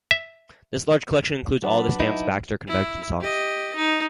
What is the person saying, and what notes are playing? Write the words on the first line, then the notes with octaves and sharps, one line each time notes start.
This large collection includes all of the Stamps-Baxter convention songs.
E5
F#3 D4 B4 F#5 A5
D#4 E4
E4
G4 D#5
D#4